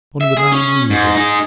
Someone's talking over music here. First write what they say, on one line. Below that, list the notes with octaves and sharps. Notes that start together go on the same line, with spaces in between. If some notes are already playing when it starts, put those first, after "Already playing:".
One of the nine Muses.
E5
G#4
C#4
G#2
D#4 G#4